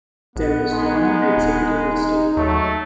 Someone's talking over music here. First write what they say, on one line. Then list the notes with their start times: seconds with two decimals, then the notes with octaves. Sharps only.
There was no "Executive" estate.
0.36 A#1 B3
0.73 G#3 D#4
1.37 D#1
1.88 D#4
2.37 D#2 F#3 A3